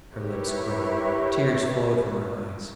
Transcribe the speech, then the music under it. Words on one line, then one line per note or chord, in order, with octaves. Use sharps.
Her lips quivered, tears flowed from her eyes.
E4 G4 A#4 B4 C#5 E5